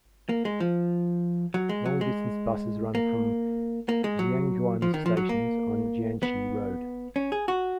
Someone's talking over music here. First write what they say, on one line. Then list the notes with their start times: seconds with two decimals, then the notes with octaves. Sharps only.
Long-distance busses run from Xiaguan's stations on Jianshe Road.
0.29 A#3
0.45 G#3
0.60 F3
1.54 F#3
1.69 G#3
1.86 F#3
2.01 G#3
2.95 A#3
3.89 A#3
4.04 G#3
4.19 F#3
4.82 F3
4.94 D#3
5.06 F3
5.17 F#3
5.29 A#3
6.23 B3
7.16 C#4
7.32 G#4
7.48 F#4